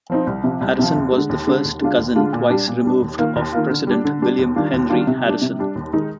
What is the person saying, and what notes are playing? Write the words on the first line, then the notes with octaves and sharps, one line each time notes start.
Harrison was the first cousin twice removed of President William Henry Harrison.
F3 C4 D#4
C2
C3 F3
C2
C3 F3
D#2
D3 G#3
D#2
D3 G#3
D#2
D3 G#3 D4 F4
D#2
D3 G#3 D4 F4
A#2
G3 D4
A#2
G3 D4
D#2
D#3 A#3 F4
D#2
D#3 A#3 F4
D3
G3 D4
D3
G3 D4
D#2
D#3 G3 D4 F4
D#2
D#3 G3 D4 F4
C3
G3 D4
C3
G3 D4
D#2
D#3 G#3 D#4